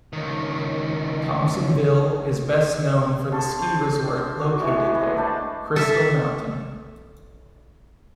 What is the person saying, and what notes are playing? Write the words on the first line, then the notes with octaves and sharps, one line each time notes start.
Thompsonville is best known for the ski resort located there, Crystal Mountain.
C#2 D#3
D3 A5 C6 C#6
C5
F#4
A2 E3 G#3
G#4 B4 D#5
A3 D4 C5 A5
A4 E5